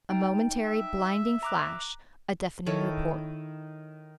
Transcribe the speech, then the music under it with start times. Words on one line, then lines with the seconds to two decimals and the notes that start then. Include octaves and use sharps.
A momentary blinding flash, a deafening report.
0.10 D#4 G5
0.63 E5
1.43 A#5 D6 F#6
2.66 D#3 E4 A4 C#5